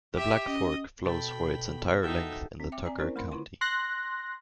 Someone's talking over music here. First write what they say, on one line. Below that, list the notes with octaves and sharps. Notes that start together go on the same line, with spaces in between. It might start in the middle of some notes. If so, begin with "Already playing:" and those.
The Black Fork flows for its entire length in Tucker County.
G4 E5
C#4 D#5
B2 A4 G5 B5
D#4 F#4 A4 E5 G5
C4
E5 G5 D6
C4 D5 G#5 A#5
C4 C#4 E4 A#4 C5 D5
A3 A#4 B5 C6
D3 E4 F4 C6
C6 F#6 A#6